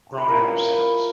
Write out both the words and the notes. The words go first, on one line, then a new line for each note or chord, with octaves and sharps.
grown out of sales.
B4
F3 A#3 C#4 E4 A#4